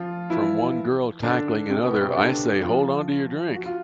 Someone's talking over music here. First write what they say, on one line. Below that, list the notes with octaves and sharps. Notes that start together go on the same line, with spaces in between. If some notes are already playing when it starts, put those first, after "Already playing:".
From one girl tackling another, I say hold on to your drink !
Already playing: F3 F4
E3 E4
D3 D4
C3 C4
B2 B3
C3 C4
D3 D4
F3 F4
F#4
F4